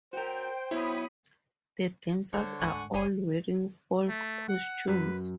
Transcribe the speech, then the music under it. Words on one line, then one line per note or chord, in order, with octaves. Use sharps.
The dancers are all wearing Folk costumes.
F#4 A#4 C5 G5
B3 E4 F#4 C#5 B5 D#6
D3 G3 F4 C5 C#5
G#1 D2 F#5 G#5 C#6
F#1 G4 G#4 C#5 G#5
A3
F#5
F#2 B4